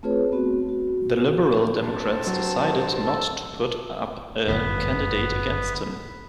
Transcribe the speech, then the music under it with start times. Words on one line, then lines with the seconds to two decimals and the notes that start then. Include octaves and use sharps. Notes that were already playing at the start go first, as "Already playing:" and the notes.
The Liberal Democrats decided not to put up a candidate against him.
0.03 A3 C4 F4 G#4 B4 C#5
0.32 A3 B3 C4 F#4
0.69 F#4
1.83 G2 C4 A5
2.27 F#3
3.05 A4
4.48 G1 F#2 A2 B3 B4